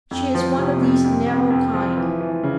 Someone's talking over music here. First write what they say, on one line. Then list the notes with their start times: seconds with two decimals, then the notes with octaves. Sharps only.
She's one of these narrow kind.
0.11 F2
0.35 F3
0.57 C3
0.81 F2
1.04 F2
1.27 F2
1.50 F2
1.74 F3
1.97 E3
2.21 E3
2.43 C#3